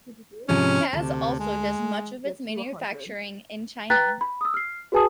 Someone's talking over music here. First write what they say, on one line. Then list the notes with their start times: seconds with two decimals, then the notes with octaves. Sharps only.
Kaz also does much of its manufacturing in China.
0.49 G#2 C3 F3 C#4
0.93 D2 C3 A5
1.39 G#3
3.90 B4 G5 A#5 F#6 A6 B6
4.21 B5
4.41 D#6 E6
4.54 F6 C7
4.92 F#4 G#4 B4 G#5 A5 D#6